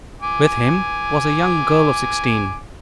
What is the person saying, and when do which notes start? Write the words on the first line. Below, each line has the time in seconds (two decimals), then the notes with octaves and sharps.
With him was a young girl of sixteen.
0.22 G#5 D6